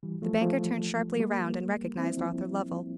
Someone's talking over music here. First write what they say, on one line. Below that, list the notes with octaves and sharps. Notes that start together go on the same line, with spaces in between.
The banker turned sharply round, and recognized Arthur Lovell.
E3 G3
F3 A3
F3 A3
G3 A#3
C4 E4
F3